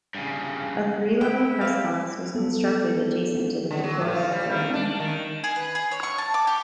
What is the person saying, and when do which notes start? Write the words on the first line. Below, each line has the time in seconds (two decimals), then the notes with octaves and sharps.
A three level press box was constructed adjacent to the Victoria Pavilion.
0.15 G2 C#3
1.21 E4 G5
1.61 C4 G4 F5
2.35 B3 A4
3.71 D3
3.84 F#3
4.01 A2
4.14 F4
4.32 G3
4.50 D#3
4.73 D4
5.00 D#3
5.44 G#4
5.56 B4
5.75 G#4
5.92 C#5
6.03 C#6
6.18 A5
6.34 D6
6.47 G4